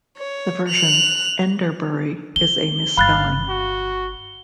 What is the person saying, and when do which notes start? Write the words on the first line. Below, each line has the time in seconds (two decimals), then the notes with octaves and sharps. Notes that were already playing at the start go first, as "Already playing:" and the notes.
The version 'Enderbury' is a misspelling.
0.17 C#5
0.69 F#6 F7
2.36 C#2 C#3 G7
2.97 G1 F5 B5 F#6 A6
3.49 F#4